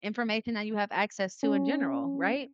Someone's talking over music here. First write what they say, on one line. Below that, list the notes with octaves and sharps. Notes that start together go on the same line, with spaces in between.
information that you have access to in general, right?
C#4